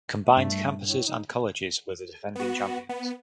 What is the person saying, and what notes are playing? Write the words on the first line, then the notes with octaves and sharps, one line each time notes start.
Combined Campuses and Colleges were the defending champions.
A3
G2
A2
D#4
B3 F#4
B3